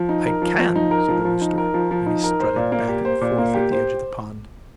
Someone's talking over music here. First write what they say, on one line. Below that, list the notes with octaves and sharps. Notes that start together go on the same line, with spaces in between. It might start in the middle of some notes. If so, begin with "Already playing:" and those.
"I can," said the rooster, and he strutted back and forth at the edge of the pond.
Already playing: F3
D#4
A#4
F3
F3
D#4
A#4
F3
F3
D#4
A#4
F3
F3
D#4
A#4
C5
A#2
A#3
G4
C5
A#2
A#3
G4
C5